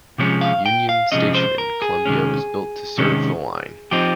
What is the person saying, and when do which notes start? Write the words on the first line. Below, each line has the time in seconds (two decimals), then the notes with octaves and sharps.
Union Station in Columbia was built to serve the line.
0.18 C3 F3 G#3 C#4
0.41 F5
0.66 G5
0.89 F5
1.12 C3 F3 G#3 C#4 D#5
1.35 C5
1.58 A#4
1.82 G#4
2.05 C3 D#3 G#3 C#4
2.98 C3 D#3 G#3 C#4
3.91 F3 C4 D#4 G4